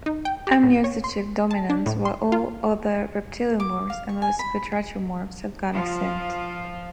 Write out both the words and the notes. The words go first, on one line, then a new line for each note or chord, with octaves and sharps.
Amniotes achieved dominance, while all other reptiliomorphs and most batrachomorphs have gone extinct.
D#4
G5
G4
A2
C#5
C6
A5
D4
A2
C6
F4
D6
F5
C#6
G#5
B5
F3 F4